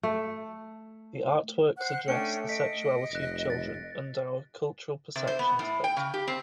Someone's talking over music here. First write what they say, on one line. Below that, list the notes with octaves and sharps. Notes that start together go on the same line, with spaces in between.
The artworks addressed the sexuality of children and our cultural perceptions of it.
A3
C5 F#5 F#6
A3 C#4 D4 G5 C#7
D#5 B6 D7
F1 F#6 A#6
A6
C3
C5
B3
A2
G5
C#3
G4
C4